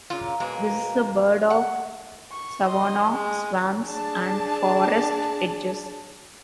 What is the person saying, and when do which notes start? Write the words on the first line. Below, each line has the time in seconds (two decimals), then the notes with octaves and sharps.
This is a bird of savanna, swamps and forest edges.
0.10 A#2 C#3 F4
0.40 B2 G#3 A#3
1.50 F#5
2.31 C#6
2.65 D#5 C6
3.12 G#3
3.86 D4 G#4 A5